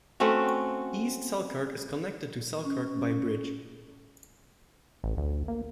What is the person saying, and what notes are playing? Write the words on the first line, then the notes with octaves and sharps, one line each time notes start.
East Selkirk is connected to Selkirk by bridge.
A3 C4 C#4 F#4
C#4
A1
D2
A#3